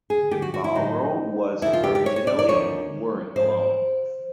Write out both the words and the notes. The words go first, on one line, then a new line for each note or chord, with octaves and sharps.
The Baro was originally worn alone.
G#4
G4
F#4
F#4
E4
A2 F#3 D#4
D#2 C#3 F3 E4
F4
G4
G4
C#5
C#5
D5
D5
D#2 D3 F3 C#5
G#2 F3 C5